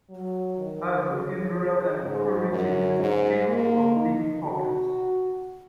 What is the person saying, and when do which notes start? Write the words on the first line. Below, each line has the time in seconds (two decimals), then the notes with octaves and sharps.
However, in rural and poorer regions it's still of big importance.
0.09 F#3
0.58 D#3
1.06 C#3
2.03 G#2
2.51 F#2
2.99 G#2
3.48 A#3
3.96 D#4
4.44 F#4